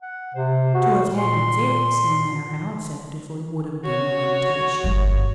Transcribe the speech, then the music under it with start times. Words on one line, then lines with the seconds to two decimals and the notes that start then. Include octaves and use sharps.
To have had him fixed, no matter how effectively, would have been a limitation.
0.02 F#5
0.35 C3 C5
0.74 F#4
1.05 A#2
1.18 C6
3.85 F#4 C#5
4.84 G1 G2